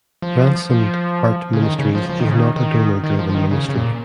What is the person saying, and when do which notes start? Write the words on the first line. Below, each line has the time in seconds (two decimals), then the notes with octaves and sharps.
Ransomed Heart Ministries is not a donor-driven ministry.
0.22 F3
0.70 F3
1.53 C#3
1.63 D#3
1.79 C#3
1.95 F3
2.09 F3
2.20 D#3
2.28 C#3
2.38 D#3
2.56 D#3
3.04 D#3
3.19 F3
3.29 F3
3.35 D#3
3.51 C#3
3.69 C#3
3.74 A#2